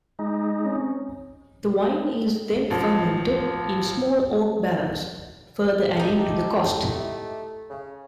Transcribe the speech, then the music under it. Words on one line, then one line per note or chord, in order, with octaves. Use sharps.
The wine is then fermented in small oak barrels, further adding to the cost.
G#3 D#4
C4 C#4
A1 F3
D#4 E4 G4 A4
A3
C#3